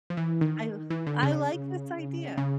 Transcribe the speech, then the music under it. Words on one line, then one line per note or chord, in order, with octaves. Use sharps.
I I like this idea.
F3
E3
D#3
E3
D3
C#3
C#3